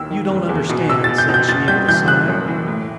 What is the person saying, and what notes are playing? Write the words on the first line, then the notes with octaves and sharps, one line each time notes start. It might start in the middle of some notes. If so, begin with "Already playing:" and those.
"You don't understand," said she, with a sigh.
Already playing: D#2 D#3 E6
D#3
F#1
E2
B2
B2 E6
B2 A6
G6
B2
G6
F#1 A6
G3 G6
E3 G6
F#1 F#6
F#2
E3
A2